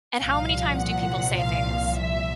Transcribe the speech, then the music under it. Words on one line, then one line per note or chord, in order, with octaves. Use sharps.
And how many times do people say things
C2 A#2 F3 F5
F#5
F5
E5